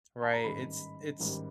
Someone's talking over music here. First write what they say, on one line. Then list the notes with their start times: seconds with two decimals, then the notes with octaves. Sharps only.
Right. It's it's
0.22 A5
0.33 A#5
0.44 A1 G#2 D#3 G3 B5
1.19 A1 G#2 D#3 G3